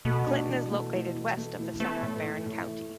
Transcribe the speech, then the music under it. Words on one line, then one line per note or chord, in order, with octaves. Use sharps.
Clinton is located west of the center of Barron County.
B2 A3
D4
E3
A3
E3
E3
A3
E3
A3 B3
A2
E3
A2